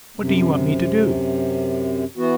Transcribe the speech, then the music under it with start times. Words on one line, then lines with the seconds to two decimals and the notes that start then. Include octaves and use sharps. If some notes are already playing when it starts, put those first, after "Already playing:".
"What do you want me to do?"
0.19 F#2 C3
2.17 E3 B3 F#4